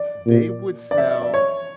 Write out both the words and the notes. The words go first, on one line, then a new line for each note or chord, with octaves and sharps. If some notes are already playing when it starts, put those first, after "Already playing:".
they would sell
Already playing: D5
A#2
D5
E5
D5
C#5